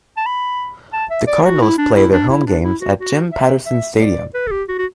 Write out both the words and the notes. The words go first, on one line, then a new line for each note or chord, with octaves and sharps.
The Cardinals play their home games at Jim Patterson Stadium.
A5
B5
A5
E5
D5
F#4
E4
D4
E4
D4
E4
D4
E4
F#4
F#4
E5
E5
D5
B4
A4
G4
F#4
F#4